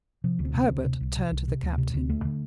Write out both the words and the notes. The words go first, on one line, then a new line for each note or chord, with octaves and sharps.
Herbert turned to the Captain.
C3 F3
D2
C4
C3
C4
D2
C3
C2
C3
C2
C3
D2
C3
D2
D#2 A3
D3